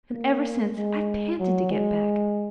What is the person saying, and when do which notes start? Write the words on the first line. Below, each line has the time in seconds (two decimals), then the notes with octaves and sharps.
And ever since, I've panted to get back.
0.13 A#3
0.77 G#3
1.40 F#3
1.71 G#3